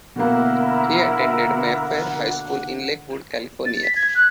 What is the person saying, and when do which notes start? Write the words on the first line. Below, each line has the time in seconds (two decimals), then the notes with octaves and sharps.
He attended Mayfair High School in Lakewood, California.
0.16 B2 D3 A#3 E4 A#4 F#5
3.66 A6
3.83 B6
3.96 G#6
4.15 F#6